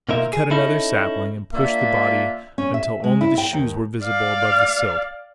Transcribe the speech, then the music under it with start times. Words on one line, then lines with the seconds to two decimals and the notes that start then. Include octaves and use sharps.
He cut another sapling and pushed the body until only the shoes were visible above the silt.
0.09 B2 A#3 D#4 F4 A#4 E5
0.33 G#4
0.50 C#4 D#4 E4 A4
1.54 A#3 D4 F4 E5
2.58 C#4
2.74 E5
3.04 G#3
3.21 E4
3.38 G5
3.53 D#2
4.04 D5 F5